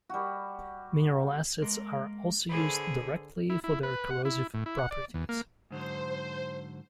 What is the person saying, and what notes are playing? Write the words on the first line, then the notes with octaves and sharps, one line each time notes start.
Mineral acids are also used directly for their corrosive properties.
G3 F#4
G#3 A#3 A#4
D3 G#4 B4 C5
E4
E4
B4
F#5
E4
A2
E4
F#5
D5
E2
A#3
G#2 D3 F#3 C5